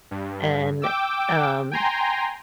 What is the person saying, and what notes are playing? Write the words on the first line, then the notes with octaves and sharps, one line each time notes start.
and, um,
G2
G5 D6 E6
G5 G#5 A#5 C6